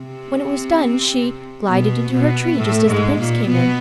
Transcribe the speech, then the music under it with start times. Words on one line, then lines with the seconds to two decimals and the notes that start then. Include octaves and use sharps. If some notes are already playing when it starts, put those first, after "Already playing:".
When it was done she glided into her tree just as the prince came in.
Already playing: C3 C4
1.69 B2 B3
2.14 B2 B3
2.58 A2 A3
2.88 G#2 G#3
3.18 A#2 A#3
3.48 B2 B3